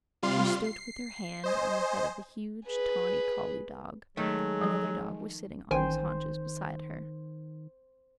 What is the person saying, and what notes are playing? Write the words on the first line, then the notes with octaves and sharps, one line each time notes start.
She stood with her hand on the head of a huge, tawny collie dog; another dog was sitting on his haunches beside her.
C3 G3 F4 F5 C6
C7
C5 D#5 G#5
G#4 B4
D#3 F#3 G#3 A3
F3
A1 D#3 C5 G5 G#5